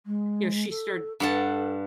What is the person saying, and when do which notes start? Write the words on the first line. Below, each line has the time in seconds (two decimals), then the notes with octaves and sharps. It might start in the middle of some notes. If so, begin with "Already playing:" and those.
you know, she started
0.06 G#3
0.69 A4
1.20 G2 A4 F#5 A5